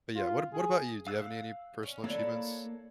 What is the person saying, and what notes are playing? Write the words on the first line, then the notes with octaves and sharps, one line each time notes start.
but yeah. What what about you? Do you have any any personal achievements?
F4
G#4
F5 E6 F#6
C#4
A#3 D4 E4 A4 C#5